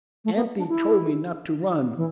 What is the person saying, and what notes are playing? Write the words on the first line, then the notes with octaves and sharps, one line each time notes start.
'Aunty told me not to run.
A3
B3
D4
E4
E3